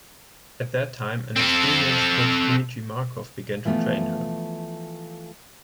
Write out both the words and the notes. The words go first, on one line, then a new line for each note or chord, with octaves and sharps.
At that time an experienced coach Dmitry Markov began to train her.
C4 A4
E3 F3 A3 B3